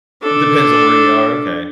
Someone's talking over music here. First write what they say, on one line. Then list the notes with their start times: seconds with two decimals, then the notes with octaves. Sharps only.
Depends on where you are? Okay.
0.23 D4 A4